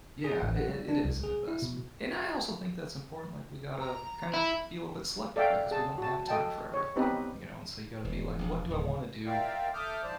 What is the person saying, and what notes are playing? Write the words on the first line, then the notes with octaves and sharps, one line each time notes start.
Yeah, it it it is an investment, and I also think that's important, like, we gotta kind of be a little bit selective, right? 'Cause we don't have time for everything, you know, and so you gotta be like, "What do I wanna do
G#4
A1
F#5
G3
D4
C2
G#4
E4
B2
A#5
E4
A4 D5 E5 F5 G5
G#4 A5
F#4 A5
A4 D#5 G5 A5
C#5
B3 C4 D#4 G4 B4
E1
E1 A#1
D1
F4 A#4 D5 E5 F5 G5
A4 E5 D6 D#6 F6 G6
G#2 F3 C5 D5 A5